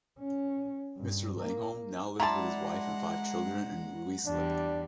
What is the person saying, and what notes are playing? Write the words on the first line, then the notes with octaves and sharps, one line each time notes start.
Mr. Langholm now lives with his wife and five children in Ruislip.
C#4
G2
A#3
G#3 E4 D5 F#5 A5 A#5 C6
E2 G3 D4